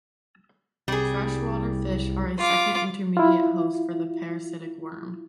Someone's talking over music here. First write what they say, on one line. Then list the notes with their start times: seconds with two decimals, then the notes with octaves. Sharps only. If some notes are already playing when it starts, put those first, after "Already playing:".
Freshwater fish are a second intermediate host for the parasitic worm.
0.88 C2 G3 G#4
2.38 F4 D6
3.17 E4 F4